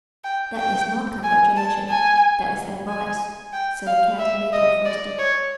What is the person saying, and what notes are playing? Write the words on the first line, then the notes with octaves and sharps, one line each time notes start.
"That is not congratulation; that is advice," said the Cat-made-of-worsted.
G5
G5
G#5
A5
G#5
G#5
G5
F5
E5
D#5
D5
C#5